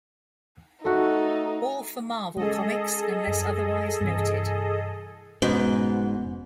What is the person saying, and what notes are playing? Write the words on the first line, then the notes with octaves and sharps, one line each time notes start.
All for Marvel Comics unless otherwise noted.
A3 D#4 F#4 A4
G#3 C#4 G#4 A4 D#5
F#2
G2 C3 E3
F1 G#2 B2 B3 C#4